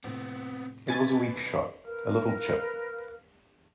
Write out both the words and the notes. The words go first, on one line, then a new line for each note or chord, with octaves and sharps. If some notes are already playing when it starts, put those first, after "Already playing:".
It was a weak shot, a little chip.
F2 A2 C3 B3 C4
C2 B4 G#5 A6
A#4 B4 F5 F6